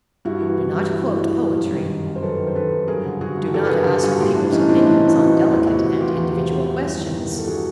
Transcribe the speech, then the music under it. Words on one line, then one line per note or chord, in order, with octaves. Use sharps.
Do not quote poetry; do not ask people's opinions on delicate and individual questions.
G2 E4 F#4
E3
E3
G2
G2 E4 F#4
E3
E3
G2
F#2
D#3
D#3
F#2
C5
F#2 A4 B4
D#3
C5
D#3 A4 B4
F#2
G2 G#4 A#4
D3
D3 F#4 G#4
G2
G2 G4 A4
B4
D3 G#4 A#4
D3 G4 A4
G2 F#4 G#4
A2 F4 G4
E3 D4 E4
E3 C#4 D#4
A2 C4 D4
D#4
A2 D4 E4
E3
F#4
E3 D#4 F4
A2
E2 D#4 F4
C3 E4 F#4
E2
E3 F4 G4
E2
C3
E2
E3
G2
D#3
D#3
G2
A4
F#4 G#4